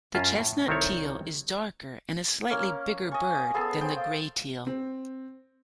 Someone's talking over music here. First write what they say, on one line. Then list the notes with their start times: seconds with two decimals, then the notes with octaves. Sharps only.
The chestnut teal is darker and a slightly bigger bird than the grey teal.
0.15 F#2 C#4 F4 A5
0.37 A2
0.68 C2 D#3 C4 E4 A4 C#5
2.50 A#3 C#4
3.12 D#5 G#5 C#6
3.54 B3 G#4 A4
3.81 C5 G5 G#5
3.95 F5
4.67 C4